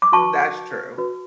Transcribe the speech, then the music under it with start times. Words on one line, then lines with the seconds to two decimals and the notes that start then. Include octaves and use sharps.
that's true.
0.02 D6
0.12 F#4 B4 A5 C#6
0.98 F#4 B4